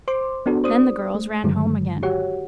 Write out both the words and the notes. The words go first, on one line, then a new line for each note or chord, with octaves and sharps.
Then the girls ran home again.
C5 C6 D6
B3 D4 F#4 A4
C5 D5 D#6
A3
G2 D3 D#3 F#3 G#3
F#4 G4 C#5 F#5